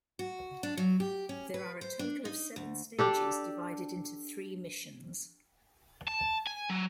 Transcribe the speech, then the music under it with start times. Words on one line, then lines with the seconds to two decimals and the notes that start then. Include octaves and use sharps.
There are a total of seven stages, divided into three Missions.
0.19 F#4
0.63 D4
0.77 F#3
1.00 G4
1.29 C#4
1.54 B4
1.81 C5
1.99 D4
2.25 D#4
2.56 D2
2.99 D4 G4 A4
6.08 A5
6.47 G#5
6.70 F#3